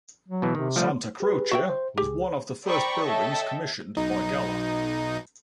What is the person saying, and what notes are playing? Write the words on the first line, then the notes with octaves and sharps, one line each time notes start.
Santa Croce was one of the first buildings commissioned by Galla.
F#3
B2 E3
C3 D#3
F3 G3 A3
G4 G#4 B4
F#4 E5 G5
C5
C#2 G4 G#4
C5 D5 G5 A#5 B5 C#6
A4 C#5 D#5 E5 G5
B1 D#4